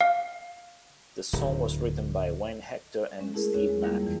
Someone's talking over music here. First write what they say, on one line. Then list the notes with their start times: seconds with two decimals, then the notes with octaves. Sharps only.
The song was written by Wayne Hector and Steve Mac.
0.01 F5
1.33 D1
3.19 G#3 C#4
3.34 A3 E4 G#4 A#4
3.54 D#2 C#4 G#4 C#5
3.69 G#3
3.82 G3 A#3 E4 F4
4.03 F2 E3